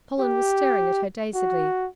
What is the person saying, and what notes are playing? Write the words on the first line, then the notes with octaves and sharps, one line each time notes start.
Colin was staring at her dazedly.
G4
F#4